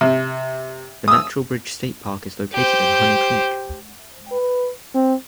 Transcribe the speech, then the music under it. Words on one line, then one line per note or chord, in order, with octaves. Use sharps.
The Natural Bridge State Park is located in Honey Creek.
C3
D#6 E6
G4 C5
B4
C4